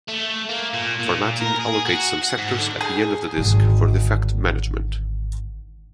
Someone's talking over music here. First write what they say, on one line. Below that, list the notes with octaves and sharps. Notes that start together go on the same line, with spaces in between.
Formatting allocates some sectors at the end of the disk for defect management.
A3
A#3
A#2
A#2
A#4
G#4
F#4
F#5
G#2
D3
G#4
G#1 D3